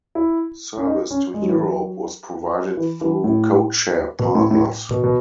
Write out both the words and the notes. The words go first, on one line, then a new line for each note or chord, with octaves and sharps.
Service to Europe was provided through codeshare partners.
E4
C#4
D#4
C#4
G#3
F#3
E3
F#3
E3
E3
A2
B2
A2
A2
B2
B2